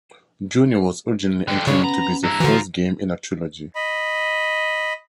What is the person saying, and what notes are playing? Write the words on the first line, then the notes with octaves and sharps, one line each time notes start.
"Journey" was originally intended to be the first game in a trilogy.
F2 D3 G5
C#3 C#4 C#5
B3 A#5
G2 E4 A#5
D3 E3 F3 F4 F#4
D#5 B5